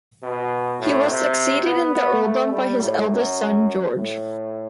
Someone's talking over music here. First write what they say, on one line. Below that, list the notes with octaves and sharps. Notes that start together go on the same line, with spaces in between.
He was succeeded in the earldom by his eldest son, George.
B2
A2
C3
B3
B3
A3
G3
A2
F#2
A2